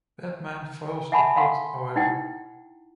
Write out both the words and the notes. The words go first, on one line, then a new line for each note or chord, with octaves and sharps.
Batman foils the plot, however.
E5 F#5 G#5 A5 B5
F5 F#5 C6
D#4 E4 F#5 G5